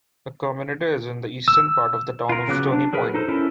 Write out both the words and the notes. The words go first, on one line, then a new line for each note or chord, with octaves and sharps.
The community is in the eastern part of the town of Stony Point.
E6
F4 A#4
C#3 F#3 B3 D6 F#6
D4
F#3 G#4 A#4 B4
D#4 A4 C5
C#4 E4 A4 A#4